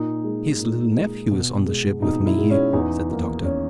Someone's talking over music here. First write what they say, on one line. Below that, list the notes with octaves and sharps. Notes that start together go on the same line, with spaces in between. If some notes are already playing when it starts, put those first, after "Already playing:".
"His little nephew is on the ship with me here," said the Doctor.
Already playing: A#2 D#4
G#3
A#2
G#3
B2
G#3
B2 D#4
E4
G#3
C#4
E2 D#4
D#3 A#3
C#4